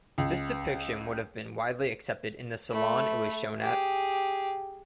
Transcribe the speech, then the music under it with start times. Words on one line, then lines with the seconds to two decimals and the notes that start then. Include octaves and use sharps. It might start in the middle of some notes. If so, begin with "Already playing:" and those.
This depiction would have been widely accepted in the Salon it was shown at.
0.18 C#2
2.71 A3 B5
3.60 G4 G#4